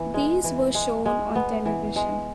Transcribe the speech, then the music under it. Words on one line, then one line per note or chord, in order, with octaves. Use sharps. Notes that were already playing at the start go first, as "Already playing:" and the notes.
These were shown on television.
Already playing: E3 B3
G#3
E3
G#3
G#3
B3
E3
G#3